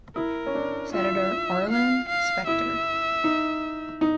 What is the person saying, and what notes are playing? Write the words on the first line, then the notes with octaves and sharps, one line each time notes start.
Senator Arlen Specter.
E4 A#4
C#4
D4
F4 E5
F5
F5
E4 E5
D#4
D#4